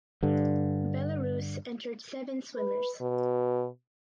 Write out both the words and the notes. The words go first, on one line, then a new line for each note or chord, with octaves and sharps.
Belarus entered seven swimmers.
G2 D3
B4
B2